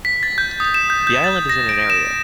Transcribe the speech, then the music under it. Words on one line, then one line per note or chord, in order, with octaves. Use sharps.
The island is in area.
B6
A6
G6
D#6
E7
G6
G6
A6
A#6
D7
E7